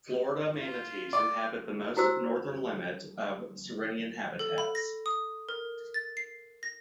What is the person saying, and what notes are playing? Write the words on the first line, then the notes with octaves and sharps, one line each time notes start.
Florida manatees inhabit the most northern limit of sirenian habitats.
F4
D5
E4 F#4 C5 E6
A4
B5
A#6
D#6
A#4
A6
C7
A#6